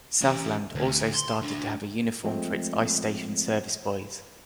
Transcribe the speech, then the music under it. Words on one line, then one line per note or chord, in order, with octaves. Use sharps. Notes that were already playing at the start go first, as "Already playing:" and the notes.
Southland also started to have a uniform for its ice station service boys.
C#4 G4
D2
C6
A3 D4
F3 G#3 A3 C4